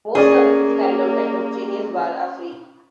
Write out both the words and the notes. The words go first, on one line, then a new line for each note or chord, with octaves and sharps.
Most services carried out at the Genius Bar are free.
A#3 C#4 G#4 D5